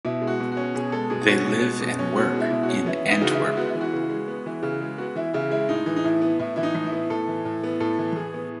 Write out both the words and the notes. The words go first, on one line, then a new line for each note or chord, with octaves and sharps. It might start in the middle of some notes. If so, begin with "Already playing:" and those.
They live and work in Antwerp.
B2 E4
G#3
F#4
B2
F#4
C#4
B2 G#4
G#3 A4
B2 G#4
C#4 F#4
B2
G#3
B2
C#4
B2 F#4
G#3
E4
B2
F#4
C#4
B3 E4
E3
D#4
C#3 F#4
E4
G#3
B3 F#4
E4
E3
F#4
C#3
G#3
B3
E3
C#3
G#3
B3 F#4
E3 E4
C#3 E4
G#3 E4
A2 D#4
E3
D#4
A2 E4
B3
A2 E4
E3 E4
D#4
A2
E4
B3
A2 A4
E3
A2
B3
A2 A4
E3
A2 G#4
B3